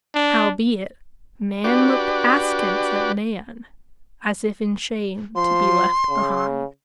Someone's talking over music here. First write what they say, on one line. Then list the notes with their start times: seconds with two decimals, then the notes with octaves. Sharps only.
Howbeit, man looked askance at man, as if in shame to be left behind.
0.15 D4
1.64 D4 F#4 G4 B4 D5
5.36 F3 C6
6.09 C#3